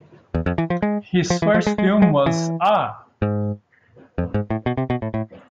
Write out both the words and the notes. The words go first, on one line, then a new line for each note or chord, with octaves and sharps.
His first film was Ah!
E2
F2
E3
F3
G#3
F3
E3
F3
G#3
G#3
G#3
E3
G#2
F2
G#2
A2
B2
C3
B2
A2
A2